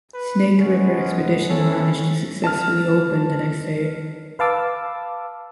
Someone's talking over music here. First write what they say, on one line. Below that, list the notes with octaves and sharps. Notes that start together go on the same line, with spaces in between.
Snake River Expedition managed to successfully open the next day.
B4
F3 G#3 B3 C#4
C4 C#4 E4 A4
A5 F6
B4 F5 A5 D6 E6